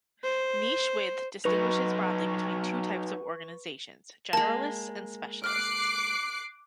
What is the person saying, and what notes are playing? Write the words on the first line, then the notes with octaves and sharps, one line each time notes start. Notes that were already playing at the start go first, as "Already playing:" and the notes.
Niche width distinguishes broadly between two types of organizations: generalists and specialists.
C5
F#3 D#4 B4 C#6
G#3 A#3 A5
D6 F6 F#6 C7